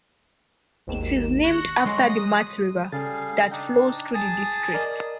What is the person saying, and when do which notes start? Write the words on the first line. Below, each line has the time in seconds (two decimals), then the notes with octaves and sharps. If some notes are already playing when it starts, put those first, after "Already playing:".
It is named after the Mat River, that flows through the district.
0.87 G#1 D#2 E7
1.44 C#6 F#6 A#6
1.85 F#3 G#3 C6
2.09 D#6
2.92 C#3 G3 G#4 A4 F5 A6
3.51 D4 D#4 G5
4.14 G#4 A5 D#6
4.74 A#4 D5 D#5